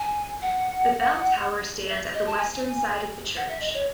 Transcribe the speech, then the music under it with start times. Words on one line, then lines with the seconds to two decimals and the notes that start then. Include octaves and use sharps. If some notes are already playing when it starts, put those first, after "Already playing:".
The bell tower stands at the western side of the church.
Already playing: G#5
0.42 F#5
1.90 E5
2.14 D#5
2.26 A5
2.38 G#5
3.37 F#5
3.48 E5
3.60 D#5
3.74 C#5